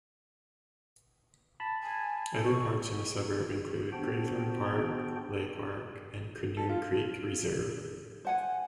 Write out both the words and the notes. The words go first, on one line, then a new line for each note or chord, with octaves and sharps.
Other parks in the suburb include Greythorn Park, Leigh Park and Koonung Creek Reserve.
A5 B5
G#5
C#6
B3 D4 F#4 G4 C5 G5
A4
F4
C5 F#5 G#5